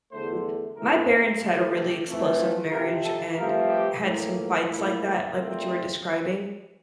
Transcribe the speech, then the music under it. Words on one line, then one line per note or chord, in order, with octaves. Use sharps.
ee my parents had a really explosive marriage and had some fights like that, like what you were describing,
E2 D3 A3 C5
A2 E3 A3 C4 A#4
A#4
G2 D3 A3
G4
F2 E3 A3 C4
F4
F2 C3 F3 A#4
A4
G2 F3 A3 C4 A#4
G4
A2 E3 A#3
F4
A2 F3 A#3 E4
A#1 A#2 A3 C4